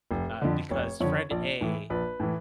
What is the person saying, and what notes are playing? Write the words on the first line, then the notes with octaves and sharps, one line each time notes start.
uh, because friend A
F1
F2 D3
F1 C#5
F2 D3 C#5
A#1 D5
A2 E3
A#1 B4
A2 E3